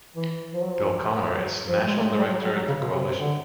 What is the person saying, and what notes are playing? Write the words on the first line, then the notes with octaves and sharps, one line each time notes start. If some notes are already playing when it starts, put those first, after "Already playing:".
Bill Connor is national director of the coalition.
E3
F3
F#3
F3
F#3
F3
F#3
G#3
A3
G#3
G3
F#3
F#3
F#3
C#3
B2
C3
C3
D3